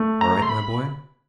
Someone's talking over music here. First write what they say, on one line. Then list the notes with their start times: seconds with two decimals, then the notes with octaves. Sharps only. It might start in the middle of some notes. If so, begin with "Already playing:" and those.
All right, my boy!
Already playing: A3
0.21 A#5
0.42 C6
0.49 B5